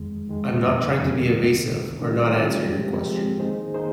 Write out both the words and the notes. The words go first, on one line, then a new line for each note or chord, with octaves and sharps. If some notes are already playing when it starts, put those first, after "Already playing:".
I'm not trying to be evasive or not answer your question.
Already playing: F2 D#3 G#3
F2 D#3 G#3
F2 D#3 G3 A#3
F2 D#3 G3 A#3
C2 C3 D#3
C2 C3 D#3
D#3 G3 C#4 F4
D#3 G3 C#4 F4
F3 G#3 C4 G4
F3 G#3 C4 G4
D#3 A#3 D#4 G#4 C5
D#3 A#3 D#4 G#4 C5